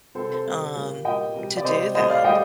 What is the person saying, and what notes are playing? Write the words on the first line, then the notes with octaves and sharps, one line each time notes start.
um, to do that,
C3 G3 A4 C5
A4 C5
C3 G3
A#2 G3
A#2 G3 D#5 G5
C3 G3
D5
C3 G3 C5 D#5
A2 G3 C5 D#5
D5 F5
A2 G3 D#5 G5